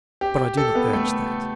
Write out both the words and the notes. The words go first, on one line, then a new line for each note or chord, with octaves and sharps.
But I do not urge that.
G4
A4
B3
A3